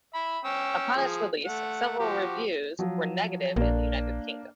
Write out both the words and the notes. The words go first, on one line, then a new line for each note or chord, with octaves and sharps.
Upon its release, several reviews were negative in the United Kingdom.
E5 B5
C#4 G5 E6
F3 G#4
A3 F#5
F3 F#4 G4
F3 F#3
A#1 A#3 D4